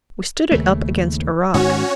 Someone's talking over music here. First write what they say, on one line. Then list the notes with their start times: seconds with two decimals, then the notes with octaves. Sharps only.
We stood it up against a rock.
0.51 D#2 C#3 A3
1.54 G#2 D#3 C#4 F#4 C#5